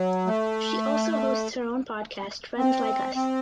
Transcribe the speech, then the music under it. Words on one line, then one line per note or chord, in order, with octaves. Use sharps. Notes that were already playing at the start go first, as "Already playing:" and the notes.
She also hosts her own podcast "Friends Like Us".
Already playing: F#3
A3
C4
C4